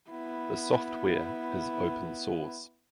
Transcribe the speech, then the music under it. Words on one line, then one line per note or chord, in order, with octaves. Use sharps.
The software is open source.
B3 E4